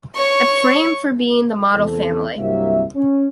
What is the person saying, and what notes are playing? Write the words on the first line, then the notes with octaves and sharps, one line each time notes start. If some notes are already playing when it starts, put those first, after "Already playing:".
Ephraim for being the model family.
C#5 C#6
E2 C3 A4
C2 G2 C3 F#3 A#3 E5
C#4